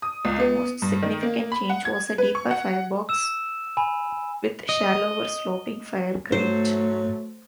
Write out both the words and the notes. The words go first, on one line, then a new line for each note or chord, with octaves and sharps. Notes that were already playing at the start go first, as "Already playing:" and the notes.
The most significant change was a deeper firebox with shallower sloping fire grate.
D#6
C#2
B3
G2
D#3
A#3
B5
F#5
G#6
B4
C#6
F#5
E6 E7
G#5 B5
D#5
G#2 F#3 A3 C5